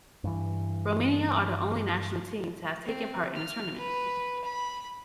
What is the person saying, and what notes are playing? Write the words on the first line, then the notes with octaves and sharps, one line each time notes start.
Romania are the only national team to have taken part in the tournament.
G2 E3
C4
F6
B4
B5